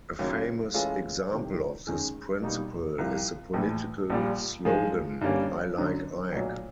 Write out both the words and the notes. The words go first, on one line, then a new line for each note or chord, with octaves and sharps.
A famous example of this principle is the political slogan I like Ike.
D#2 C#3 F#3 A#3
E3 G#3 C#4 F4 A4
C2 C3 D#3
F#2 D#3 G#3
B2 G3 A#3 D#4
C2 C3 F3
A#1 A2 E3
A#1 A#2 G3
G#2 F3 G#3
G2 D3 G3 A#3 C#4
F#2 D3 F#3
B1 A#2 F#3